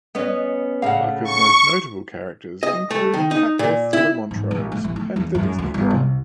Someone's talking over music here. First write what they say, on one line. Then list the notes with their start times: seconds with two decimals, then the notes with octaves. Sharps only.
Parker's most notable characters include Pat-Beth LaMontrose and the Disney Girl.
0.15 B3 C#4 D#5
0.82 A2 C#3 F5 F#5
1.23 C#6
2.63 D#5
2.91 A3
3.14 D#3
3.31 D#4
3.59 A#2
3.93 E4
4.31 G#2
4.51 A#1
4.72 A3
4.84 A1
4.96 A3
5.16 E2
5.35 F#2
5.58 D2
5.74 G1
5.91 C2